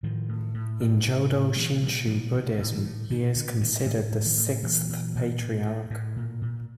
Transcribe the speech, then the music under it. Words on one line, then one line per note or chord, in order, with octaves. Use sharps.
In Jodo Shinshu Buddhism, he is considered the Sixth Patriarch.
A2 D#3 F3
A2
A2
A2
A2
A2
A#2 E3 F#3
A#2 F3 G3
A#2 F3 G3
A2 D#3
A2
D3 E3
A2
A#2 D#3
A#2 D3
A#2 D#3
A2 D#3
A2
D#3 F3
A2
A#2 E3 F#3
A#2
A#2
A2
A2
A2
A#2
A#2